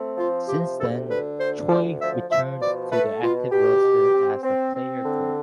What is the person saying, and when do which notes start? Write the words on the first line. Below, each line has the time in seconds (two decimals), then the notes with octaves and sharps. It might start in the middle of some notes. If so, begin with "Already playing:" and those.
Since then, Choi returned to the active roster as a "player coach".
Already playing: A3 C4
0.16 F3 F4
0.47 C3 G4
0.78 D2 A4
1.09 D3 B4
1.39 D2 C5
1.69 D2 D5
2.00 F3 E5
2.30 F3 E5
2.60 B2 D5
2.91 A3 B4
3.22 B2 F4
3.52 B2 G4
3.83 B2
4.14 C4
4.43 C4
4.75 C4
5.05 D3